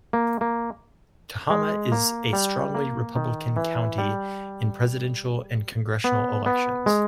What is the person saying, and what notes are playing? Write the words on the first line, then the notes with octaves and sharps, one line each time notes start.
Tehama is a strongly Republican county in Presidential and congressional elections.
A#3
A#3
G#3
A#3
G3
A#3
D#3
E3
G3
B3
B3
G#3